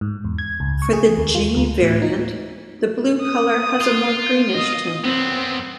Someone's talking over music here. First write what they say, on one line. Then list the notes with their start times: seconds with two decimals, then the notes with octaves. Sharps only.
For the "G" variant the blue colour has a more greenish tint.
0.01 G#2
0.25 E2
0.38 G#6
0.60 C#2
0.82 C#6
0.93 G#4
1.18 D#2
1.35 F4
1.57 D2
1.82 A2
2.02 D#4
3.21 D#6
3.81 F4
4.53 D#5 D#6
5.05 F#2 B3 C4